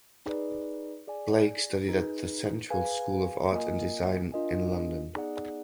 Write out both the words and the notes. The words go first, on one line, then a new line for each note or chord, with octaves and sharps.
Blake studied at the Central School of Art and Design in London.
D#4 G#4 B4 D5
G#4 D5 G#5
D#4 G#4 B4
G#4 B4 F5 G#5
A#3 F4 A#4 D#5 G#5
D4 F4 A#4 D#5 G#5
B3 D#4 G#4 D5 F#5